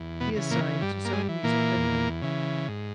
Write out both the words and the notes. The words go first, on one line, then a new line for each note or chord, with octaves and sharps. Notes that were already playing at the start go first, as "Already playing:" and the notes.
He is signed to Sony Music Denmark.
Already playing: E2
B2 B3
C#3 E3
A#2 A#3
G2 G3
A#3
G#3
E3
A#2 A#3
E2
C#3 E3
G#2